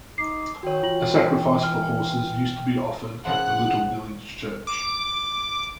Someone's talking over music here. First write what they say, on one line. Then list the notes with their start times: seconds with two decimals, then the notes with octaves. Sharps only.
A sacrifice for horses used to be offered at the little village church.
0.18 D#4 D6 C7
0.63 D#3 F#4 C#5 G5
0.83 E3 F4 F#7
1.63 F6
3.25 C#3 F3 C5 F#5 F#6
4.67 D6